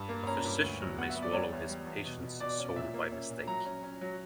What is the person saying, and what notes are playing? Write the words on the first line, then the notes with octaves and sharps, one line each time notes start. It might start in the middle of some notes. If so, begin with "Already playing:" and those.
A physician may swallow his patient's soul by mistake.
Already playing: G2
A#3
C#4 A#5
G2
D2
F#3
B3 F#5
E5
B3
D5
G3 C#5
E2
G3
E2
B2
B2
B2 D5
C#4
A#2 E5
A#3
C#4
A#2
F#3 A#5
C#4
C#4
F#3